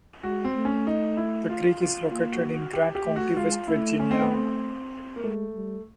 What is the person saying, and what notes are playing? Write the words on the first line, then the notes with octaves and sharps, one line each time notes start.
The creek is located in Grant County, West Virginia.
G#3 F#4
C4
A3
C#4
D#4
E4
F4
F4
A#3 F4
F#4
F#4
G4
G4
A3
F#4
G#3 F4
A3 E4
C#4
C4
B3
C4
A#3
G#3 A3
G3